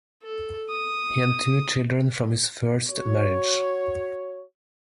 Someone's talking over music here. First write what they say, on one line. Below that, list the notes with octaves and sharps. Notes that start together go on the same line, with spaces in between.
He had two children from his first marriage.
A4
D#6
F#4 C#5